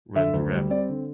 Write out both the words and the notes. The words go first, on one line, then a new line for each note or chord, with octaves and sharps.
When the Rev.
D3 E5
D2
G3
C4 D5
D3